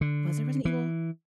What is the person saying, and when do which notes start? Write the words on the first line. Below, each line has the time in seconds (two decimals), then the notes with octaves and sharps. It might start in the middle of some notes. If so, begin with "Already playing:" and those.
was it Resident Evil?
0.01 D3
0.65 E3